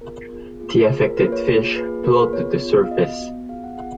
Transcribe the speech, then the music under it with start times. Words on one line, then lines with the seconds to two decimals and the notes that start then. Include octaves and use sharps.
The affected fish float to the surface.
0.01 B3 F4 G#4 A#4
0.30 B3 F4 G#4
0.60 A#3 F4 G#4
0.88 A#3 F4 G#4
1.05 A#4
1.17 A#3 F4 G#4 B4
1.32 C#5
1.46 A#3 F4 G#4
1.75 A#3 F4 G#4 B4
2.04 A#3 F4 G#4 A#4
2.19 B4
2.33 B3 F4 G#4 C#5
2.62 B3 F4 G#4
2.84 F5
2.91 B3 F#4 D#5
3.20 B3 F#4
3.49 B3 F4 G#4 F5
3.64 F#5
3.78 B3 F4 G#4 F#5